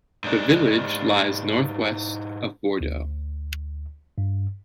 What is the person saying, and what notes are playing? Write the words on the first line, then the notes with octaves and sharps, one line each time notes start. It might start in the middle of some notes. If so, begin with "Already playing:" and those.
The village lies northwest of Bordeaux.
G#2 D4
D2
G2